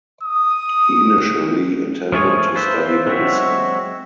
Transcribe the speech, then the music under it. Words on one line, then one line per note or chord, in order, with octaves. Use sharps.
He initially intended to study medicine.
D#6
F3 A3 G#4 C#5
F4 B4 C5 E5
F#3 G#3 C4 F#4 E5